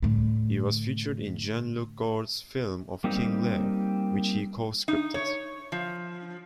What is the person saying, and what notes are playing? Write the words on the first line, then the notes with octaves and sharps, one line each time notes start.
He was featured in Jean-Luc Godard's film of "King Lear", which he co-scripted.
A2 D3
G3 A#3 C4 D#4 G4
D#4
C#5
F3